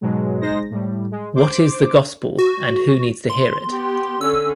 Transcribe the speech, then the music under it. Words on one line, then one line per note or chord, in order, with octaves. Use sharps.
What is the gospel and who needs to hear it?
G#2 B2 F#3 G#3
G#3 D#4 C5 A#6
A2 G3
G#3
C5 D6
F#4
C6
B3 G4
D3 C#4 E6